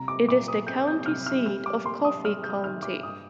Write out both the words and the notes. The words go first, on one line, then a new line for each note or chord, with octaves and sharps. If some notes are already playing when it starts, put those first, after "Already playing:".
It is the county seat of Coffee County.
Already playing: C2 A#5
D6
A#2 D6
D#6
C4 G6
G6
C2 F6
F6
G3 F6
D6
A#3 C6
D#6
G3 F6
G6
D#3 F6
D6
G2 D#6